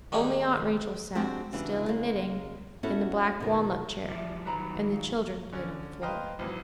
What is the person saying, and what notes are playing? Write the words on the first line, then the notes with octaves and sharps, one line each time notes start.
Only Aunt Rachel sat, still and knitting, in the black walnut chair; and the children played on the floor.
D#3 G3 G#3 A#3 C#4 D#4
G#3 C4 D4 F#4 G4 G5
C#3 E3 G3 B3 D4 F#4
C#3 G#3 A#3
B3 C#4 E4 F#4 A4 C#5
B2 D#3
E3 F3 G3 D5 E5
D#3 F#3 G3 B4 A#5 B5
F5
D3 C#4
B4 C5 D#5 F5 G5 A#5
G#1 E3 F#3